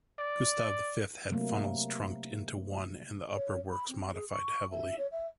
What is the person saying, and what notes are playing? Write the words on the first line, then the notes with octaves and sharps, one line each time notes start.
Gustav V had funnels trunked into one and the upper works modified heavily.
D5
C3 F#3 A3 A#3
C#5
B5
C4
G#4
C#6
E5
C#5
E5